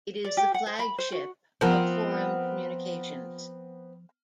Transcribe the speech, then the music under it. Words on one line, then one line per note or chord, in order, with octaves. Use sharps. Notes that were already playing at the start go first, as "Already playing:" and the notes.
It is the flagship of Forum Communications.
D5
G4
F#5
C5
B5
C5
F#4
F3 B3 C4 F4 A#4